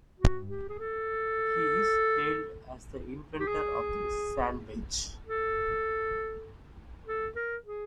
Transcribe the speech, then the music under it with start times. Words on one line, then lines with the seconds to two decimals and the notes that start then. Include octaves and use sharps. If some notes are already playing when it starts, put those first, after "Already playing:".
He is hailed as the inventor of the sand wedge.
0.19 F#4
0.48 G4
0.69 G#4
0.79 A4
3.40 G4
3.47 G#4
5.26 A4
7.07 A4
7.36 A#4
7.66 G#4